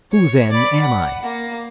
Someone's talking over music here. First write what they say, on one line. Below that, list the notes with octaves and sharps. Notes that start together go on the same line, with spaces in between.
"Who, then, am I?"
C#5
D5 B5
F#5
A#3